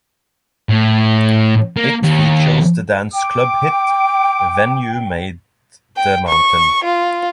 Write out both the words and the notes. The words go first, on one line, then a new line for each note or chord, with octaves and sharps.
It features the dance club hit "When You Made The Mountain".
A2
A#3
D#2
G5 D6
G5
C#6
F4